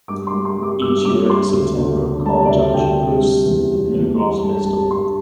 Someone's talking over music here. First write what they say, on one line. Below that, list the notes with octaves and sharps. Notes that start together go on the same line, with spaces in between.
Each year in September, Carl Junction hosts the Bluegrass Festival.
G2 D6
C6
G3
C6
G3
D6
G2 E6
G2 D6
G2 C6
D2
D2
D3
G3 A5
D5
D2 E5
D2 G5
C3
G3
E2
C3
E2
G3
G2 A5
G3 A5
G2 C6